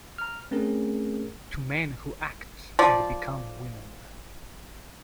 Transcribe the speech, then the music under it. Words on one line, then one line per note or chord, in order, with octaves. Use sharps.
To men who act and become women.
A#5 F6
A3 C4 C#4 G#4 A#4
F3 D5